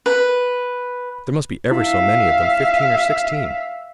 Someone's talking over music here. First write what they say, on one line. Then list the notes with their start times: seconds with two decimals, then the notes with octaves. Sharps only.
There must be ever so many of them, fifteen or sixteen.
0.06 B4
1.71 E4 E5 F5